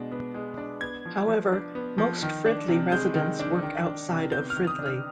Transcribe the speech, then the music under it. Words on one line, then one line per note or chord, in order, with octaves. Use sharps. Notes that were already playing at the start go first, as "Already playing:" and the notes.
However, most Fridley residents work outside of Fridley.
Already playing: B2 G#3 D4
B3
G#3
D4
B3 G#6
F3
F3
D4
B3
F3
D#3
D4
C3
G#3 G6
D#3
D4
D#3
D4
C3
B3 G6
F6
D#3
D#6
D4
F6